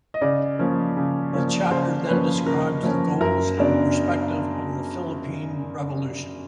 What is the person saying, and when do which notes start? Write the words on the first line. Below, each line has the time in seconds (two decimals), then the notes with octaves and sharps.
The chapter then describes the goals and the perspective of the Philippine revolution.
0.14 D#5
0.21 C#3 D5
0.59 F3 A#3 C#4
0.97 C#3
1.33 F3 A#3 C#4
1.71 C#3 C5
2.08 F3 A#3 C#4 B4
2.45 C#3 A#4
2.83 F3 A#3 C#4
3.21 F#2 A#4
3.58 C#3 F#3 B3 D4